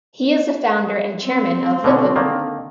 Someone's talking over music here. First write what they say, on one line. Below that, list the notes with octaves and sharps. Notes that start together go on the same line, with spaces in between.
He is the founder and Chairman of Lippo Group.
C4
B2 D3 C#4
D3 D#3 A#3